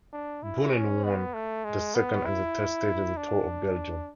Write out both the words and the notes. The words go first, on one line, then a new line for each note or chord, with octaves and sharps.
Boonen won the second and the third stages of the Tour of Belgium.
D4
E4
C#4
B3
A3
G#3
B3
E4
D4